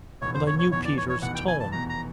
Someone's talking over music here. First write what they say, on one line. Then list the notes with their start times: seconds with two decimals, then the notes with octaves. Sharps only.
And I knew Peter's tone.
0.22 F1 E2 B2 C#5
0.34 C5
0.46 C#5
0.59 C#5
0.71 F1 E2 B2 C#5
0.85 D5
0.97 C#5
1.09 C#5
1.22 F1 E2 B2 F#5
1.35 G5
1.47 G#5
1.60 A5
1.72 F1 E2 B2 A#5
1.89 A#5